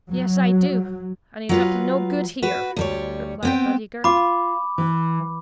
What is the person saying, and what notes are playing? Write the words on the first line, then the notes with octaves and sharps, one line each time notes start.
"Yes, I do, and he's up to no good here," replied Buddy Girk.
F#3
F#3 F4 B4
F#4 B4
D2 G3 C#5
B3 C4 G5
F4 B5 D6
E3